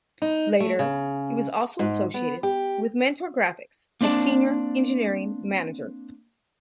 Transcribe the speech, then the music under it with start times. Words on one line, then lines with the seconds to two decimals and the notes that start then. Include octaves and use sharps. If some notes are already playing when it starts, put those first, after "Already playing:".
Later he was also associated with Mentor Graphics as Senior Engineering Manager.
0.22 D#4
0.60 A3
0.79 C#3
1.79 G#2
2.14 B3
2.43 G4
4.01 A#3 C4 D4 D5 A5